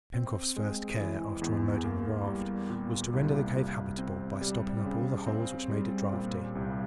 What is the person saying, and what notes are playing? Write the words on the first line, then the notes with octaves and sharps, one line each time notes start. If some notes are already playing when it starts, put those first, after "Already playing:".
Pencroft's first care, after unloading the raft, was to render the cave habitable by stopping up all the holes which made it draughty.
C4
G#3
E3
E2
A#3
G3
A#2
C2
F4
C4
G3
C#3
C4
G3
A#2
C2